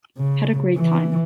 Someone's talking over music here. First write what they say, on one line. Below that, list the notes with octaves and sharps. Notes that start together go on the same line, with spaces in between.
Had a great time.
C#3
E3